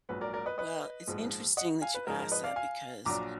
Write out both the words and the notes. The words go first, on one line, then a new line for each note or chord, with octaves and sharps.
Well, it's interesting that you ask that because,
A#1 G#2 F#3 B4
A#4 D5
A#4 D5
B4 D#5
B4 D#5
A#1 G#2 F3 G#3
D#5 F#5
F5 G#5
B4
G#2 F3 G#3 D#4 A#4
A#4
B4 D#5
D5 F5
F5 G#5
A#1 A#2 F#3 D4 A#5 D6